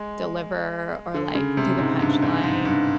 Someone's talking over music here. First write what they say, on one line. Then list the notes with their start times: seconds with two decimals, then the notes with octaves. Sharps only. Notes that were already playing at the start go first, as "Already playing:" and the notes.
deliver or like, do the punchline.
Already playing: G#3
1.14 D3
1.35 C#3
1.57 C3
1.79 G#2
2.00 G2
2.22 G#2
2.44 G#2
2.65 G2